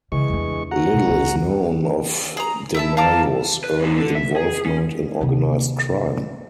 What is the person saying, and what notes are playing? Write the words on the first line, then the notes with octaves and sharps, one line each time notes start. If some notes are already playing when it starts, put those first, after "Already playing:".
Little is known of DeMayo's early involvement in organized crime.
C#3 E3 G#3 C#6
E2 D4
F#4 F#5 A#5
B2
C#2 D#4
G#4 A#5
E4 E5 A5
F5 A5 A#5 D6
B4
E3 C4
D3 A4
E5
G#4
C#4
C3 A#3